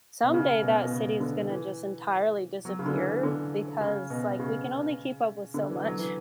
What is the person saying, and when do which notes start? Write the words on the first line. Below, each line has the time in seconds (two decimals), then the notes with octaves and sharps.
someday that city is gonna just entirely disappear because, like, we can only keep up with so much.
0.23 B2
0.34 C#3
0.62 B2
0.82 B2
0.91 C#3
1.20 D3
1.49 E3
2.65 F#3
2.79 C#3
2.86 D3
2.94 E3
3.23 D3
3.81 C#3
4.10 B2
4.39 C#3
5.54 D3
5.70 E3
5.84 F#3
5.98 E3